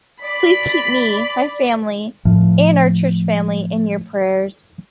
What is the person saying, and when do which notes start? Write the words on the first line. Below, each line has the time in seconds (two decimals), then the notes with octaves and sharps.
Please keep me, my family and our church family in your prayers.
0.23 D5 B5
2.25 A2 F3